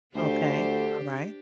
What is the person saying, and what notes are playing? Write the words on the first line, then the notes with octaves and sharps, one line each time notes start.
Okay, alright.
D2 D3 D4 G4 C5